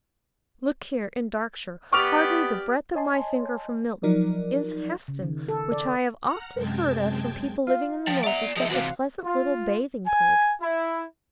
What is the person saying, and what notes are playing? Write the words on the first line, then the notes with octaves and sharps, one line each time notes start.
Look here--in Darkshire, hardly the breadth of my finger from Milton, is Heston, which I have often heard of from people living in the north as such a pleasant little bathing-place.
B3 G4 D5 C#6 D6 F6 F7
C#5 D#5 G#5 A5 C6
F3 F#3 D#4 A#4 D5
C#3
D#3
A4
D5
F#5 A#5 F6
F#2 C3 G#3 G5 A5 G#6
F4 F5
F3 G5
D5 E5 F#5 A#5
F3 D#4 G#4 E5
E2 C3 F#4 C5 F5
F4
G#5
E4